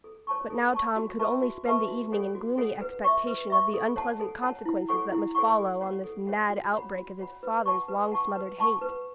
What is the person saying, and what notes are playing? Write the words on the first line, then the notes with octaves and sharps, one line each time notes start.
But now Tom could only spend the evening in gloomy expectation of the unpleasant consequences that must follow on this mad outbreak of his father's long-smothered hate.
A4
C#5 A5 C#6
A4
C#5 A5 C#6
F#4
B4 E5 A5 C#6
F#4
B4 E5 A5 C#6
F#4
A4 C#5 F#5
F#4
A4 C#5 F#5
B4
E5 C#6
B4
E5 C#6
A4
C#5 F#5 A5
A4
C#5 F#5 A5
E4
A4 C#5 F#5 C#6
E4
A4 C#5 F#5 C#6
A4
C#5 F#5
A4
C#5 F#5
F#4
C#5 F#5 B5
F#4
C#5 F#5 B5
B4
F#5 A5 C#6
B4
F#5 A5 C#6
B4
F#5 A5 C#6
B4